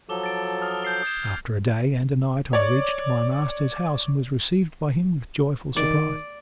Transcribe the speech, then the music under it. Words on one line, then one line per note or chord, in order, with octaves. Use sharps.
After a day and a night I reached my master's house, and was received by him with joyful surprise.
F3 F#3 A4 D6 G7
A6 D7
D#6 F6
G6 C7 G7
D#6 G#6 E7
C#5 D5
D#3 D5